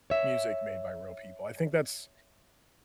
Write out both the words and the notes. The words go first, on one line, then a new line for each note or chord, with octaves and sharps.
music made by real people. I think that's
C#5 E5